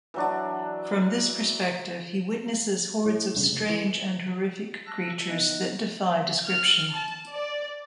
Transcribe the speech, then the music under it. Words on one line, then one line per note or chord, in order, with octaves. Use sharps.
From this perspective, he witnesses hordes of strange and horrific creatures that defy description.
E3 F#3 D4
A2
E1 C2 G2 C#3
F1
E3
A5 E6 F#6 A#6
B3 D#4 D#5 F#6
F6
A5
D5